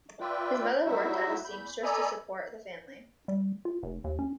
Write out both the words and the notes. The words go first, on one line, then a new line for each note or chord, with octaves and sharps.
His mother worked as a seamstress, to support the family.
F4 B4 D5 E5 G5
F#3 G3 D#4 E4 F#4 E5
E2 B5 G6
A4 D5 D#5 G#5 A#5 B5
G3
F4
F1
D#2
C#4